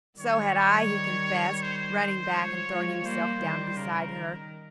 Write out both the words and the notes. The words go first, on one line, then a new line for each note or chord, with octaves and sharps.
"So had I," he confessed, running back and throwing himself down beside her.
D#3 G3 C#5
C5
F3 G#3 C#5
F3 G#3
G3 A#3 C5
D#3 G3
C#3 A#4
D#3